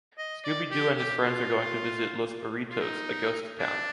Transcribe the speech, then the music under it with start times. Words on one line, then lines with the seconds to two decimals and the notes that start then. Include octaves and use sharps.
Scooby-Doo and his friends are going to visit Los Burritos, a ghost town.
0.18 D#5
0.44 D5
0.71 G4
0.96 G4
1.22 F4
2.71 F4
2.81 D#4
3.59 D4